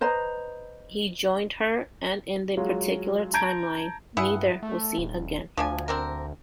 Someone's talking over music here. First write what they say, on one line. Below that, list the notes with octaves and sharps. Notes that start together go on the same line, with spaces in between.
He joined her, and in that particular timeline, neither was seen again.
B4 C5 D#5 A#5
F#3 G#3 F4
A5 A#5 G6 G#6 D7
G2 E4 G#4 F#5
A3
D#1
D2 F3 D4 G#5
C4 D4 A#4